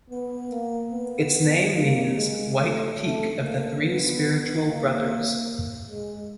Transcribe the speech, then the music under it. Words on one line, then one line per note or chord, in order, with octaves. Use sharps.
Its name means "White Peak of the Three Spiritual Brothers".
B3
A#3
B3
A#3
G#3
A3
A3
A#3
B3
A#3
G#3